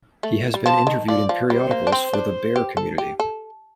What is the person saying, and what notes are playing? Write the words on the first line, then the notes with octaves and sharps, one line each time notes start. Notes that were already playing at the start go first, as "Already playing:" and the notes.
He has been interviewed in periodicals for the "Bear" community.
A3
G3
F3 A5
D#3
F3 D5
F3
G3 C5
A#3
D4
C4
D4
G4
A4
G4
A4